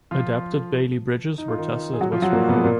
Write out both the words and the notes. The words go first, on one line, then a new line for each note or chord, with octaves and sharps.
Adapted Bailey Bridges were tested at Westward Ho!
F3 F4
D#4
F4
D#3 D#4
G#4
F#3 F#4
F3 F4
F#3 F#4
A#2 A#3
B2 B3
A#2 A#3